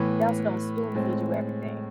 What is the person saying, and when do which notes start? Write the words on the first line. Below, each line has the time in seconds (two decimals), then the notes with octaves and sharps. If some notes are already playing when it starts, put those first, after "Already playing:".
they also don't spoon feed you everything.
Already playing: A2 E3 B3
0.94 A2 G#3 C4